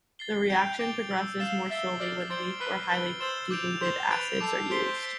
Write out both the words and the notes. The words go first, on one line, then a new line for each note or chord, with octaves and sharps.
The reaction progresses more slowly when weak or highly diluted acids are used.
A6 C7 G7
G5 G6 D7 F7
D6 A6 D7 G7
E6 A6 D7
F5 A6 C7 E7 G7
E5 E6 A6 C7 E7 G7
D5 F6 C7 G7
C5 A6 D7 G7
B4 F6 C7 G7
B4 A6 D7 G7
C5 E6 A6 E7 G7
D6 G6 D7 F7
C5 G6 C7 G7
B4 A6 D7 F7
A4 D6 G6 C7
C5 G6 B6 D7 G7
B6 D7